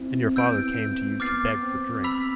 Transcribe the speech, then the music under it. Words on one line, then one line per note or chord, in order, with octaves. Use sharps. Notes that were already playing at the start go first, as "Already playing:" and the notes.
And your father came to you to beg for drink.
Already playing: C4 E4
C4
B3 E6 G6 D7
C4
B3 D6 F6 A6 C7
C4
B5 E6 B6 F7